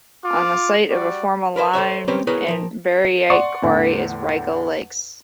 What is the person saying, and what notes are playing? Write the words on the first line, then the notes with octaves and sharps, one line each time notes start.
On the site of a former lime and baryte quarry, is Raygill Lakes.
F4 D6
G3 F#4 D5
A#4 B4 C#5 E5
A4 C5 C#5 E5
C4 C#4 G4 A#4 B4 C#5
B3 E4 G#4 A#4 B4 C#5
F3 A#4
D5 F#5 C6 C#6
E2 A2 D3